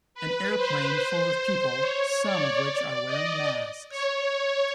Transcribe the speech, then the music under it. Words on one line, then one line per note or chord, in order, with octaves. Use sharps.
An airplane full of people, some of which are wearing masks.
B4
C5
C5
C#5
D5
D#5
C#5